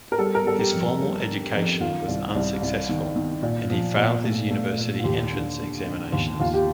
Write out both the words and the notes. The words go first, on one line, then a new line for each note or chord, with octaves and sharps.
His formal education was unsuccessful, and he failed his university entrance examinations.
A#4
G3 A4
A#4
G3 A4
G4
F2
G3
D3
F2
D#3 F4
C2
C2
C2
D#3
D#3
A#2
F3
A#2
A3
A3
A#2
F4
D#2 G4
D3
D3
D3
D#2
D#2 F4
G4